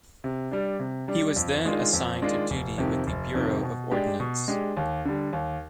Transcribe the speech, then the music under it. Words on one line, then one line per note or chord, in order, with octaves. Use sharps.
He was then assigned to duty with the Bureau of Ordnance.
C3
G3 D4
C3
G3 D4
F2
D#3 G#3 D4 F4
F2
D#3 G#3 D4 F4
F1
F2 C3 D#3
F1
F2 C3 D#3
B2
G#3 D4 G4
B2
G#3 D4 G4
D#2
D3 G3
D#2